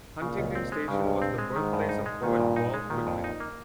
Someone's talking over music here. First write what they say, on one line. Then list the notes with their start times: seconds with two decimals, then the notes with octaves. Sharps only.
Huntington Station was the birthplace of poet Walt Whitman.
0.22 A#2 C#3
0.38 C#2
0.55 C4
0.72 G#3
0.88 G2 C#3
1.06 C#2
1.22 C4
1.38 G#3
1.56 G#2 D#3
1.73 G2
1.89 D#4
2.06 G#3
2.23 A#2 D#3
2.40 G2
2.56 D#4
2.74 G#3
2.90 A#2 D#3
3.07 F2
3.24 D#4
3.40 A#3